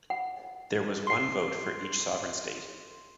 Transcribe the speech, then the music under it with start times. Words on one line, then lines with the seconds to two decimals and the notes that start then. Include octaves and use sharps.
There was one vote for each sovereign state.
0.10 F#5
1.07 C6 C7